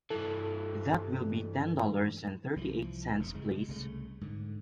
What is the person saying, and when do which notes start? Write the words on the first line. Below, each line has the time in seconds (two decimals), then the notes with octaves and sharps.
That will be ten dollars and thirty-eight cents please.
0.10 G2 E3 A4
2.56 C2 E3 F3
3.19 F1 F#2 C3
3.34 C#3 G#3
3.68 C2 C#3 F#3 A3
4.21 G#2 D3